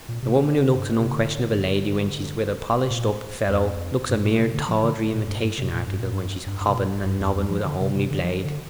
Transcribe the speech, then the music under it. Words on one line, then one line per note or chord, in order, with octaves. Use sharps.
The woman who looks an unquestionable lady when she's with a polished-up fellow, looks a mere tawdry imitation article when she's hobbing and nobbing with a homely blade.
A#2
C3
D3
G2
A#2
C3
D3
A#2
F2
G2
A#2
C3
D3
F3
D3
A#2
G2
A#2
G2
C3
A#2
G2
A#2
G2
G2
G2
C3
A#2
G2
F2
F2
F3
D3
C3
C3
D3
F3
D3